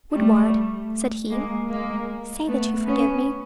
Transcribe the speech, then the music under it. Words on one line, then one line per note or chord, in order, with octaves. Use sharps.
Woodward,' said he, 'say that you forgive me.'
G3 A3
G#3 A#3
G#3 A#3
A3 B3
B3 C#4